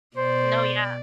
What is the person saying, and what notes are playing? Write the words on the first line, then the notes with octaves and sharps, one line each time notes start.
No, yeah.
B2 C5 D5